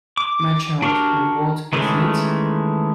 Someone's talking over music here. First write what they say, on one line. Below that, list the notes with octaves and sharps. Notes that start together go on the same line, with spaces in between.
My child, what is it?
D6
D4 F#4 G4 A#4
D#3 E3 G#3 A3 C#4